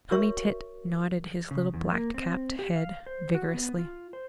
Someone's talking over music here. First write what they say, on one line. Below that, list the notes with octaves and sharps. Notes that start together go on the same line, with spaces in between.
Tommy Tit nodded his little black-capped head vigorously.
F#4 A#4 C#5 E5 C#6
C#3
E2
A#3
C4
G4
F5
C5
F#4
B3
F4
C5